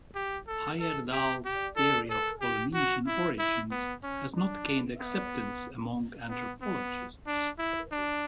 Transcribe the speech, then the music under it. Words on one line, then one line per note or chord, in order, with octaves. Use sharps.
Heyerdahl's theory of Polynesian origins has not gained acceptance among anthropologists.
G4
A4
A4
G4
G4
A4
A4
G4
F#4
E4
E4
B3
C#4
D4
B3
B3
B3
D4
E4
D4